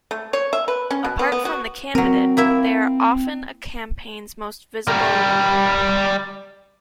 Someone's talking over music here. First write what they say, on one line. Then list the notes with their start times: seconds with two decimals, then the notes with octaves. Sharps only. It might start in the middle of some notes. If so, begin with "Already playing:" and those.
Apart from the candidate, they are often a campaign's most visible leader.
0.11 A3
0.33 C#5
0.53 E5
0.68 B4
0.91 C#4
1.04 B2
1.19 B3
1.32 B3
1.45 F#4
1.95 F#3 C4 A#4
2.37 A#3 E4 E5
4.88 G3 A#4